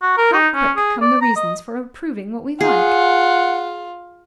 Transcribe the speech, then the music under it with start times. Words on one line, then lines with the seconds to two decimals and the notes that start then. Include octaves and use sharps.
How quick come the reasons for approving what we like!
0.02 F#4
0.18 A#4
0.33 D#4
0.55 C#4
0.76 G#4
1.01 D5
1.22 A#5
1.36 D#5
2.61 F4 G#4 F#5